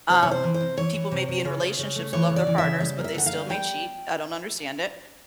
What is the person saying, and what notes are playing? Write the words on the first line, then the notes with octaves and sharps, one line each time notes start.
um, people may be in relationships and love their partners, but they still may cheat, I don't understand it,
C3 C5
C3 C#5
C5
E3
C5
C3
E3 C#5
E3
C3
C3
C#3
C#3
C#3
A3
E3 C#5
C#3
D5
E3
E5
C#3
G3 E5
A#3
E5
D3 F#5
F5
G3
G3 G5